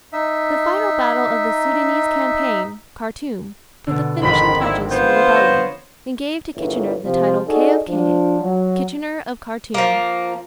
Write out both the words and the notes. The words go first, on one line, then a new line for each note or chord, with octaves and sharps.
The final battle of the Soudanese campaign, Khartoum, put the finishing touches to the rebellion, and gave to Kitchener the title "K. of K."--Kitchener of Khartoum.
D#4 E5
B2 D3
G#1 F2 G#2 D#3 B5 C6
A#2 E4
B3 F4 C5 G6
C#5 A#6 E7
G1 C#2 A#2 E3 C#5 E5
C3 F3 G4
D#4 F#4 G#4 A4 D5 D#5
F3 D4
F#3
F3 A#3